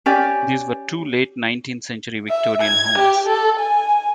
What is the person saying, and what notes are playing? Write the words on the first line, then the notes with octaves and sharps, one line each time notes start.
These were two late Nineteenth Century Victorian homes.
C#4 G4 D5 G#5
E5
G#6
G4
A4
G#5